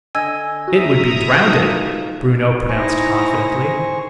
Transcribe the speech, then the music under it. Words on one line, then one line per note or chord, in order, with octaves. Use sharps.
"It would be drownded," Bruno pronounced confidently.
D3 D#5 G#5 E6 G#6
F#4 E5 A#5 D#6
D#4 F4 A4
D#4 E4 C5 G#5 C#6 A#6